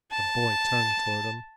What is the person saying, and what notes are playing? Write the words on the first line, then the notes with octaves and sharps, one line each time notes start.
The boy turned towards him.
A5